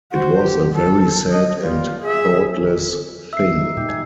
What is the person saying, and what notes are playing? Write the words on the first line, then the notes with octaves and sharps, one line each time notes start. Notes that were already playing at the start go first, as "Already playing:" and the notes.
It was a very sad and thoughtless thing.
F#4 C5
G4
A4
D#5
G3 F4
G#4 E5
E5 E6 C7
D#4
A#2 D#4 G4
G#5